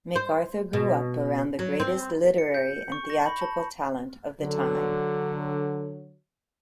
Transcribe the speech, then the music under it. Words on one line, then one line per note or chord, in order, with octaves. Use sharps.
MacArthur grew up around the greatest literary and theatrical talent of the time.
C5
B2
F#3
C4
C#7
G6
C#6
A#6
B5
A5
D3 F#3